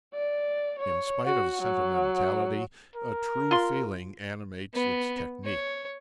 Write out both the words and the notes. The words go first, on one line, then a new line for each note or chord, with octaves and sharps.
In spite of sentimentality, a true feeling animates its technique.
D5
C#5
F#4
F#3
A#4
F4 C6
B3
C#5